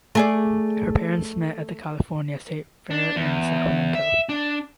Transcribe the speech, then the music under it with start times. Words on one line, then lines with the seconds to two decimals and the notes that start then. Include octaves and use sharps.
Her parents met at the California State Fair in Sacramento.
0.15 A3 G#4 D5
2.91 D4
3.16 E2
3.95 E5
4.29 D4